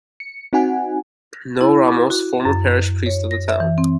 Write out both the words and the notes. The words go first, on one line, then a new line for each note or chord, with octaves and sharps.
Noe Ramos, former Parish Priest of the Town.
C#7
C4 D#4 F#4 F#5 G#5
E4
D6
F#4
F#2
C#5
A#6
E5
E3
C4